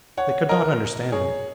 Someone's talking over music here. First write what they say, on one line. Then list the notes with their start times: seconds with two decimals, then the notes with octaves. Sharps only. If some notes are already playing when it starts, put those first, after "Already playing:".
They could not understand him.
0.17 C#5 F#5
0.49 A#4 D#5
1.12 G#4 C#5